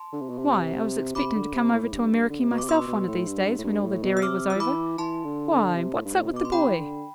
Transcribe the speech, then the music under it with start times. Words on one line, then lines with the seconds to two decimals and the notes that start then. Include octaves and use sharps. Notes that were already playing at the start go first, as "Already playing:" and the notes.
Why, I was expecting to come over to Ameriky myself one of these days, when all the derry was over---- Why, what's up with the boy?'
Already playing: A5 C6
0.13 D3
0.21 C3
0.29 B2
0.39 C3
1.15 C3 B5 D6
1.35 D3
1.54 C3
1.72 A2
1.83 A2
1.92 G2
2.12 G2
2.30 D3
2.40 C3
2.50 B2
2.58 D6
2.64 C3
2.69 B2 C6 E6
2.88 B2
3.07 A2
3.27 G2
3.45 G2
3.58 A2
3.64 G2
3.83 A2
4.03 B2
4.17 E6
4.22 C3 D6 F6
4.50 E6
4.55 F3
4.60 E3 B5 D6
4.98 E3 A5 C6
5.25 D3
5.51 D3
5.75 C3
5.94 A2
6.05 G2
6.14 A2
6.28 C3
6.33 B2 D6
6.45 C6
6.52 C3 G5 B5
6.69 E3
6.79 D3